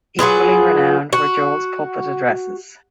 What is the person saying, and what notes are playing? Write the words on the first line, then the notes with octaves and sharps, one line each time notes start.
Equally renowned were Joel's pulpit addresses.
F#3 F4 G#4 B4
F#4